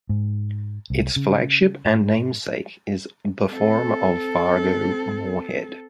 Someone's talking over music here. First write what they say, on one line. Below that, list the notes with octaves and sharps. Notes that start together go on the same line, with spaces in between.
Its flagship and namesake is "The Forum of Fargo-Moorhead".
G#2
C2
C#3
G#2
C4 A4